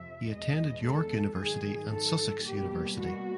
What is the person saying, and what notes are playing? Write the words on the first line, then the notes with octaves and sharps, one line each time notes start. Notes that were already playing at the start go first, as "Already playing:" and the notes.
He attended York University and Sussex University.
Already playing: F2 C3 F3 E5
E2 B2 G#3 D#5
A4
G#2 D#3 F#3 G#4
A4
B2 G3 A#3 G4
F#4